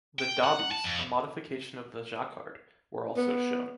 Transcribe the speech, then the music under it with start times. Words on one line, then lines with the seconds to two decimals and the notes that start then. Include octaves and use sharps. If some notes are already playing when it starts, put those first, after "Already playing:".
The ‘dobbies’—a modification of the Jacquard—were also shown.
0.19 G5
0.44 F#5
0.71 A5
0.84 F2
3.17 B3